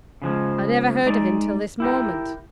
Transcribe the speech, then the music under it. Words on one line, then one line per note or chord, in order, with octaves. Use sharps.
'I never heard of him till this moment.
C#3 F3 G#3
G#3 D#4 D5
E4 G4 A#4